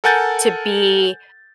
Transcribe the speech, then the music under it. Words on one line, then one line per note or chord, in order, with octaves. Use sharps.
to be
A4 A#4 F#5 G#5 G6 A6